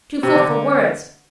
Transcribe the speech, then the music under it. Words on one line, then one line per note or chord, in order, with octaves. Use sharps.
Too full for words.
C3
D3